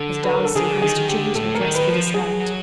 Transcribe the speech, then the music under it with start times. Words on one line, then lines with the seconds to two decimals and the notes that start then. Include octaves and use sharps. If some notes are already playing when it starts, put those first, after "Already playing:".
"Miss Dalstan has to change her dress for this act."
Already playing: D3 A4
0.23 B4
0.34 A#4
0.45 A4
0.55 D3 G#4
0.81 D#3 G#4
1.08 D3 G4
1.35 A2 A4
1.55 A#4
1.61 D#3
1.74 B4
1.88 F3
2.13 F#3 G#4